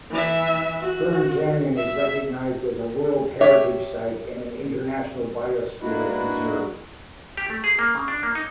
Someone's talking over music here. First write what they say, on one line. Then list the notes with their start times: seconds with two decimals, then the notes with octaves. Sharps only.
Fern Canyon is recognized as a World Heritage site and an International Biosphere Reserve.
0.11 E3 E5
0.80 F#4
1.77 E5
3.41 G4 C#5 E5
5.81 G#3 A#3 D4 E4 F#4 B4
7.37 G4
7.50 A3
7.64 G#4
7.79 A#3
7.95 C#3
8.08 D4
8.23 A#3
8.35 D#4